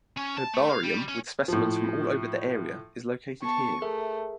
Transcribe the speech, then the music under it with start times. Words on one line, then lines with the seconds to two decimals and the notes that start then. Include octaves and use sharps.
Herbarium with specimens from all over the area is located here.
0.17 C#4
0.37 A5
0.54 A3
0.69 F5
0.83 G3
1.08 C#4
1.48 A2 F3
3.43 B3 A5 C#6
3.82 A3 G#4 A#4 E5